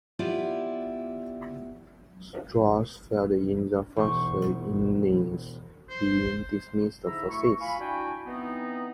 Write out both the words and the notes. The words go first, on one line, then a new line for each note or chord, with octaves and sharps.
Strauss failed in the first innings, being dismissed for six.
B3 E4 F4 G4 D5
E1 C5 C#6
C5
G#2 D3 E4 E5 A#5 E6
B2 A3 E4 C#6
F4 F5 G#5 B5
D4 E4 F#4 G5 G#5
E3 B3 C4 D#4